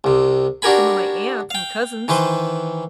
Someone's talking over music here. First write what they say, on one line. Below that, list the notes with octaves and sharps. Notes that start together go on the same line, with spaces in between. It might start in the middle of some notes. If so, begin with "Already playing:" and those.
some of my aunts and cousins.
C2 C3
D4 F#4 G4 A#4 G#5 B5
F5 G5
D#3 E3 B4 C5